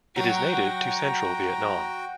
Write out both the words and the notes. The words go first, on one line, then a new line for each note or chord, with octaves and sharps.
It is native to Central Vietnam.
F#3 F#4 G5 A#5